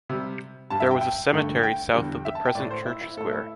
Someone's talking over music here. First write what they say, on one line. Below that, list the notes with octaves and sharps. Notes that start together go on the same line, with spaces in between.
There was a cemetery south of the present church square.
C3 G3
G2 G3 A5
E5
G5
G5
G2 D3 A3
G5
E2 D3 G3
E5
A5
G5
A2 A3 D5
C5
E4
E4
A2 A3 A4
E4